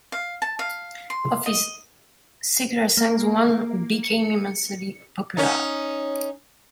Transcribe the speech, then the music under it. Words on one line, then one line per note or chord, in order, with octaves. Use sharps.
Of his secular songs, one became immensely popular.
F5
A5
F5
C6
D#5
A#3
C#7
C#4 D#4